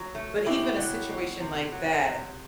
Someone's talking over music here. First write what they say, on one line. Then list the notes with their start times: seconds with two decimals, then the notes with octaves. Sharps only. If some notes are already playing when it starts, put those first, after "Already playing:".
but even a situation like that,
Already playing: F#3
0.15 A3
0.46 B2 E4 G4
0.78 F#3
1.09 B2
1.40 C3
1.72 F#3
2.03 C3